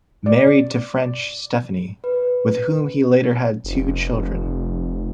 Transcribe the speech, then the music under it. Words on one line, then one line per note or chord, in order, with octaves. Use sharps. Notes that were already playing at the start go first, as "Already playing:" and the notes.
Married to French Stefani, with whom he later had two children.
D5
B4
F1